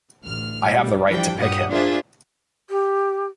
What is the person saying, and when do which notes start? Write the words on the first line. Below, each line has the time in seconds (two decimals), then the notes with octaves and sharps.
I have the right to pick him.
0.23 A1 D2 F6
0.73 G3
1.07 E3 F3 G3 D4 G5
1.36 G2 A#2 G4 F#5 D#6
1.68 D4 F4 G#4 A#4 C5 E5
2.70 G4